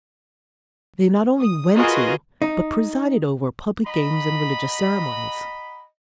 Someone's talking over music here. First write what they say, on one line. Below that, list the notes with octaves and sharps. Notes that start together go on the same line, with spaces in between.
They not only went to, but presided over, public games and religious ceremonies.
D#6
F4 F#4 G#4 A#4 B4 D#5
D#4
D#5 F#5 A#5 B5